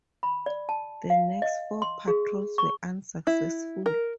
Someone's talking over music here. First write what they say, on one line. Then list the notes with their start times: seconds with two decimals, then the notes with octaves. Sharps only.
The next four patrols were unsuccessful.
0.23 B5
0.46 D5
0.69 A5
1.10 F5
1.42 D#5
1.82 C6
2.08 G#4
2.58 C#6
3.27 E4
3.86 A#4